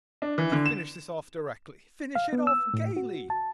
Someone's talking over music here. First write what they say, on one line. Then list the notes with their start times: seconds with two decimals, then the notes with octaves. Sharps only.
We'll finish this off directly, finish it off gayly.
0.22 D4
0.38 E3
0.52 D3
0.66 E7
2.15 F5
2.33 B3
2.47 E6
2.74 A2
2.97 F#4
3.30 A5